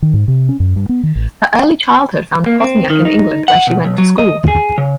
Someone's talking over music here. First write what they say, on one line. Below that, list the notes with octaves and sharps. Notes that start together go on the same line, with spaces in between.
Her early childhood found Pozniak in England where she went to school.
D#3
G#2
C3
C#4
F#2
G2
B3
D#3
A1
A#3
C4
D#3
D#4
F#5
B2
B1
F#3
D#5
G#4
C#3